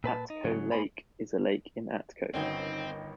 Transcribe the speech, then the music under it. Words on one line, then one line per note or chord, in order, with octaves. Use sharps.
Atco Lake is a lake in Atco.
A#2 B4 A5
D#4
G#2 C#3 F#3
A2 A#3 D4 C5 G#5 B5
G1 D#3 C4 C#4 D#4 F#4 D#5 G5